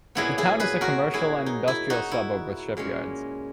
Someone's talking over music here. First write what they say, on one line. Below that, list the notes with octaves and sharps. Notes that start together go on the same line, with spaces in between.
The town is a commercial and industrial suburb with shipyards.
A#2 F#3 B3 E4 G#4
E4 G#4
G#4 B4
F#4 A#4
E4 G#4
D#4
E4
D#4 F#4
E4
A#2 G#3 C#4